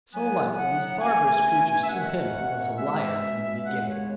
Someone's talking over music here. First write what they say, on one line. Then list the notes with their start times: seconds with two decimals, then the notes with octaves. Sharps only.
So like were these barbarous creatures to him who was a liar from the beginning.
0.13 A2 F#3 B3 G#5
0.58 F#5
1.01 B2 A3 C#4 G#5
1.83 E5
1.90 D#2 D#3 A3 C#4 F#5
2.77 B2 G#3 C#4 E5
3.65 D#2 C#3 G#3 B3 F#5
3.88 C#5